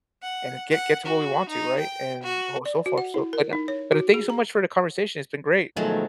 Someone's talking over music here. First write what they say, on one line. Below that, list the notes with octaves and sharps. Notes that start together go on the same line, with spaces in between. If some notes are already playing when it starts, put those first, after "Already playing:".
and get get to what we want to, right, and oh so forth. So, like, uh, but thank you so much for the conversation. It's been great.
F#5
F#5
F#4
D#4
G5
F#4
D5
F#4
F#5
E4
A#4
D#4
C#5
F#4
G#4
A#5
B2 D#3 F3 F#3 G#3 A3